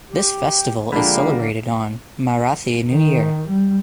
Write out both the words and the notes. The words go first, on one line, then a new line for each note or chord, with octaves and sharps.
This festival is celebrated on Marathi New Year.
G4
D3 F3 G#3 A#3 D4 G4 B5
D#3
G3